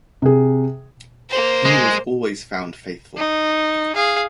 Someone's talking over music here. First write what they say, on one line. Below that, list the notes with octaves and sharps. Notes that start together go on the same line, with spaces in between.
He was always found faithful.
C3 G#4
A#3 C5
G#3
D#4
G#4 F5